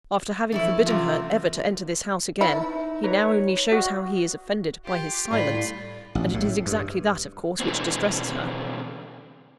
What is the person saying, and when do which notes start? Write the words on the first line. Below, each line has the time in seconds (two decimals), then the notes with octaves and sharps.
After having forbidden her ever to enter this house again, he now only shows how he is offended, by his silence; and it is exactly that, of course, which distresses her.
0.52 E3 F3 A3 D#4 E4
0.86 F#2 C3 E3 A3 F4
2.41 D#4 E4 B4 A5
3.04 D#4 B4 C#5 A#5
3.72 F#4 D#5 F5
4.85 F4 G4
5.31 A2 G3 F4 B5
6.15 A1
6.34 A2
6.66 G2
7.60 B2 D3 E3 B3 C4